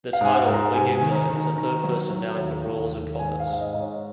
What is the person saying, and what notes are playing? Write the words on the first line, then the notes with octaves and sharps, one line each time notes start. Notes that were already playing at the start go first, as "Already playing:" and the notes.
The title "baginda" is a third-person noun for royals and prophets.
F5
G#2 G#5
F#5
G#2
A#5
C3 G#5
G#5
D#3
A#5
D#3
A#5
D#3 A#5
F#3
F#3
D#2
D#2
D#2
G#2 G#5
F5
G#2
F5
D#5
G#2 D#5
C#5